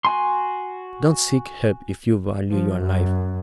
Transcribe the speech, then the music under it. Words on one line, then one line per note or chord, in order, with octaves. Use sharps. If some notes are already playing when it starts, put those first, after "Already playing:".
"Don't seek help if you value your life."
F#4 G#5 C6
F3
F#2